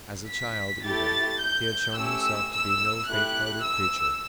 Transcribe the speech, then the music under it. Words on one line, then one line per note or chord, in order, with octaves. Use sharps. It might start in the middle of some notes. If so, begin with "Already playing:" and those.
As a child, even, he had shown himself to be no faint-hearted creature.
B6
A3 E4 G4 A6
G6
A3 C#4 G4 E6
E6
A3 E4 G4 F#6
E6